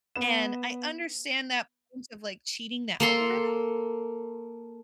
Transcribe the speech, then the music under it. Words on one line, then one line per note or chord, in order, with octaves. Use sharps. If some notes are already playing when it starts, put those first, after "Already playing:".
and I understand that point of like cheating the algorithm.
B3 E7
A#3 A4 C6